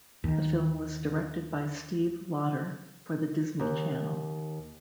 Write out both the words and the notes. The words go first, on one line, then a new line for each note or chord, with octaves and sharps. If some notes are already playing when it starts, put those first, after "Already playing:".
The film was directed by Steve Loter for the Disney Channel.
D#2 D#3
D#2